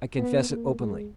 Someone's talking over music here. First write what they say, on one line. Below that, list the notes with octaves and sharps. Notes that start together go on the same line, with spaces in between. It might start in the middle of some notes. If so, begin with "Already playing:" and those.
I confess it openly.
B3
A#3
G#3